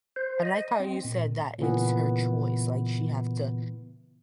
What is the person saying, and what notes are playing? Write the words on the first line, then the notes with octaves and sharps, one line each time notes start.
I like how you said that it's her choice, like she have to
C5
D#5
C4
A#2
A#2 C#3 E3 B3